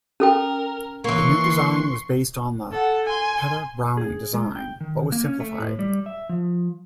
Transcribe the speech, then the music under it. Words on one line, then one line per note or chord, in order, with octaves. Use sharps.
The new design was based on the Petter-Browning design but was simplified.
C#4 A4 A#4 G5
E3 A#3 C6 C#6
A4 F#5
G#5 C6
G#4
G#3
G5
D#3
A#3
C#4
A3
A2
G3
E5
F3